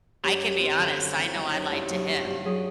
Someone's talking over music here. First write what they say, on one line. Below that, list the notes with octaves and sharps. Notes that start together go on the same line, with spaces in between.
I can be honest. I know I lied to him
F#2 G4
G3
C4
D3
F#2 F#4
C4
E4
G3
D#4
F#2
G2 E4
F#3
E4
G2
F#4
G2
F#3 G#4